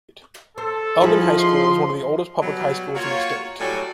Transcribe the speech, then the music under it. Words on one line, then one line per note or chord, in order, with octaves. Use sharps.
Elgin High School is one of the oldest public high schools in the state.
A4 C5
F3 D#4 E4 G#4
D#5 C6
B2 F#3 G3
A#3 F4 F#4 C#5
A2 F#3 G3 F#4 A4 G#5